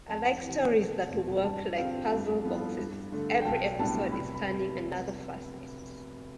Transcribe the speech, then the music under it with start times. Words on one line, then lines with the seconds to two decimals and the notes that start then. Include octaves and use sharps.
I like stories that work like puzzle boxes, every episode is turning another facet.
0.09 F2 A5
0.43 C3 E3
0.77 F1
1.10 E2 B2
1.44 G2 A5
1.78 D3 G3 C4 F4 F5
2.11 G2
2.45 F3 B3 E4 A4
2.78 G2
3.12 D3 A3
3.41 G5
3.45 B1 A5
3.79 A2 G3 B3 D4 A5
4.12 F1 B5
4.34 B5